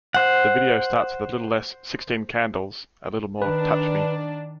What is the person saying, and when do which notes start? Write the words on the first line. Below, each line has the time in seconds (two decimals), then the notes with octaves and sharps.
The video starts with "A Little Less "Sixteen Candles", a Little More "Touch Me"".
0.15 C5 F#5
3.42 D#3 D4 B4